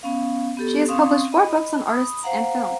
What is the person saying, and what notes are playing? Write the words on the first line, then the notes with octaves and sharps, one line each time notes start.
She has published four books on artists and film.
B3 C#4 F5
B3 G4 A4
C4 C#4 F5 C6 C#6 D#6
D#5 B5
B5 D#6
C5 F5 F#5 A#5